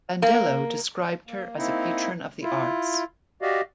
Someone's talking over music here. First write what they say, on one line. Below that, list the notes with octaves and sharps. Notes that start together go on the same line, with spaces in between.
Bandello described her as a patron of the arts.
A#3
A#3
A#3 C4 D#4 E4
E4 F4
F#4 G4 D5 D#5 F5